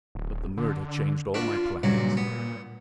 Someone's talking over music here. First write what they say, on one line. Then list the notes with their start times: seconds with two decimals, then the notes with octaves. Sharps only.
But the murder changed all my plans.
0.15 D1
0.58 D3
1.34 D4 F4 F#4 B4
1.83 G2 A#2 C#3 F#3
2.17 B3